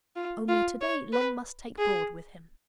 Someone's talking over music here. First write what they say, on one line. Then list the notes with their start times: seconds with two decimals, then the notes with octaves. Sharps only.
Only to-day, Long must take Broad with him.
0.16 F4
0.49 F4
0.81 C#5
1.13 B4
1.79 G#4